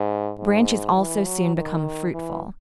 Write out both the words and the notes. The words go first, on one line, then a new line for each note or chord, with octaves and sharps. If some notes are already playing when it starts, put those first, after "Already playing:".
Branches also soon become fruitful.
Already playing: G#2
G#2
E3
F#3
D#3
E3